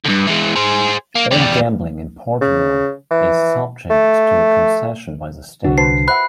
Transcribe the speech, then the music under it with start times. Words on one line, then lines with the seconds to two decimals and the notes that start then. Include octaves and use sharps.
All gambling in Portugal is subject to a concession by the State.
0.05 D2 G2
0.27 E3 G#3
0.55 G#4 C5
1.15 A#3
1.31 E2 G3
2.41 C#3
3.11 E3
3.90 A3
5.64 C2 D3 D4 F#4
5.78 B4 C5 A5 C7
6.08 C5 E5 F#5 B5 F#6